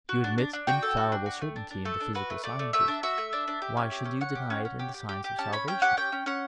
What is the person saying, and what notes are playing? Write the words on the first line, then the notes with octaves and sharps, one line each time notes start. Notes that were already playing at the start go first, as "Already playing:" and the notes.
You admit infallible certainty in the physical sciences; why should you deny it in the science of salvation?
F#4
D4
D4
D4
F#4 G5
A4
F#4
D4
F#4
A3
D4
D4
A3 A4
D4
F#4 B4
A3
A3 D5
A3
A3 E5
D4
F#4 E5
A3
D4
D4
G4
C#4
G4
C#4
C#4 F#5
G4
C#4
C#4
G4
G4
G4
G4
C#4 A5
C#4 B5
C#4 G5
G4 F#5
C#4 G5
C#4
C#4 F#5